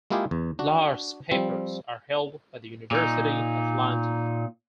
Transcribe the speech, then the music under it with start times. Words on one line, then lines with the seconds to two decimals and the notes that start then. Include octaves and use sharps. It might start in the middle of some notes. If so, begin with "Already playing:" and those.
Lahr's papers are held by the University of London.
0.10 G#3 A#3 E4 F4 G4 G#4
0.31 E2
0.59 D4 F#4
1.31 F3 G3 C4
2.91 A#2 D#4